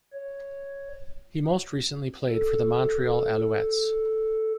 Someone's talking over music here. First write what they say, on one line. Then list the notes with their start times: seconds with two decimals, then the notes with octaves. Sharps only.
He most recently played for the Montreal Alouettes.
0.13 C#5
2.30 A4
3.01 A4